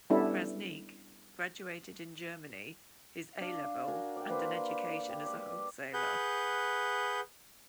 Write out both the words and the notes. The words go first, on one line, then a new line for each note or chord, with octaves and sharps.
Krasniqi graduated in Germany his A-Level and an education as a wholesaler.
G3 B3 C#4 D4 E4 A4
D4 F5
D4 F#4 A#4 G#5
D5 G5
A#3 D4 B4 C5
G4
D5
G#4 B4 F#5 G6